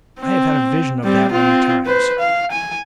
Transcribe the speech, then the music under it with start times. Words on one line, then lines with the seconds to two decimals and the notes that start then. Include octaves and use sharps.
I have had a vision of that many times.
0.19 C4
1.04 G3 C4
1.32 C4 F4
1.86 B4 C5
2.19 F5
2.51 G#5